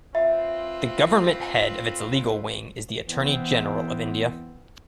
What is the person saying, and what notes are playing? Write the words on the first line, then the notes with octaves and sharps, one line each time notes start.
The government head of its legal wing is the Attorney General of India.
C4 F4 B4 E5
E3 B3 C4